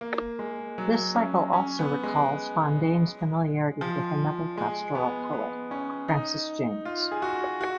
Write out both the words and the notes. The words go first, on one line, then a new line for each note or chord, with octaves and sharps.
The cycle also recalls Fondane's familiarity with another pastoral poet, Francis Jammes.
A#3
G#3
F#3
C#4
C#4
B3
G#3
F3
G#3
B3
B3
C#4
D#4
F4
G#4
F#4
F#4